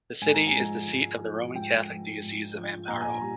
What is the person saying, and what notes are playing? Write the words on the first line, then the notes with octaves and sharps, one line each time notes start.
The city is the seat of the Roman Catholic Diocese of Amparo.
G#2 G#5
A#5
G#5
F3 G#3
G#2
F3
G#3
G#2 G5
F3 G#3
G#2
F3 G#3
A#2 A#5
G#5
A#5
G3